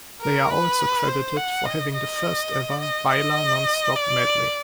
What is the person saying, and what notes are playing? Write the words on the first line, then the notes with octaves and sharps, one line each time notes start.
They are also credited for having the first ever baila non stop medley.
A#4
B4
C5
F#5
D#5
D#5
D#5
D#5
D5